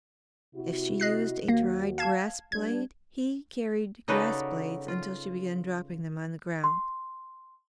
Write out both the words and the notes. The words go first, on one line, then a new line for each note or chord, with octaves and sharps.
If she used a dried grass blade, he carried grass blades until she began dropping them on the ground.
C3 E4 F#4
D#5 F#6 C7
D#2 A#3 F#4
F5 A5 G#6
G3 B3 D4 G#6
C#3 D#4 F#4 A4 B4 D5
F4
C6